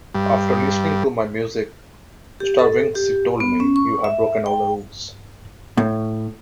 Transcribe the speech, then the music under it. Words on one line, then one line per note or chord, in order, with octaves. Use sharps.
After listening to my music Stravinsky told me 'You have broken all the rules'.
G2
G4
A4
G4
B3
C#4
C#6
E5
G5
A2